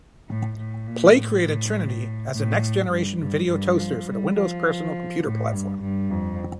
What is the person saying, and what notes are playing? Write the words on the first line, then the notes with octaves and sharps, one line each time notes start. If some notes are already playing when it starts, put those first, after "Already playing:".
Play created Trinity as the next-generation Video Toaster for the Windows personal computer platform.
A2
A2
A#2
A2
A2
A2
G2
G2
G2
F3
G3
F3
A2
G2
G2
F2